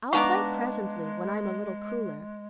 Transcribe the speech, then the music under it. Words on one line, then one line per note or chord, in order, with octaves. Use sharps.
'I'll play presently, when I'm a little cooler.
G#3 B3 D4 D#4 F5 A#5 C#6 D6